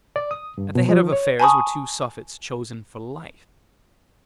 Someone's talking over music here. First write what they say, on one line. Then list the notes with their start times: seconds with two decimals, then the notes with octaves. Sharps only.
At the head of affairs were two suffetes chosen for life.
0.16 D5
0.31 D#6
0.58 G2
0.75 B2
0.89 F3
1.12 C#5
1.40 G#5 A5 B5 C#6 D#6